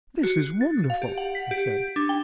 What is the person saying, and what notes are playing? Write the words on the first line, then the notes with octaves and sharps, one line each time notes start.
"This is wonderful," I said.
F#4
A6
F5
G4
F#5
B6
G4
D4
G5